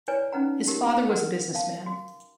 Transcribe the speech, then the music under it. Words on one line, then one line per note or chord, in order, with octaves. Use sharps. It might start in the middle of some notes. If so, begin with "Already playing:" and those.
His father was a businessman.
E4 B4 C#5 D5 G#5
C#4 D#4 B4 F#5 A#5
D#4 G4 A#4
A#4 B4 F#5
F5 A5
F#4